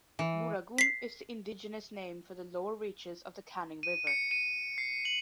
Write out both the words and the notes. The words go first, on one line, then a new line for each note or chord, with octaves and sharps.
Booragoon is the indigenous name for the lower reaches of the Canning River.
E3
B6 C7
D#7
C#7
D#7
C7
F#7